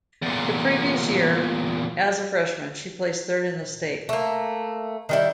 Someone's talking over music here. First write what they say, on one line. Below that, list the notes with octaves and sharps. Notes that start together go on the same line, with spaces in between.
The previous year as a freshman she placed third in the state.
E2 A#2
A3 A#3
D#3 G3 E4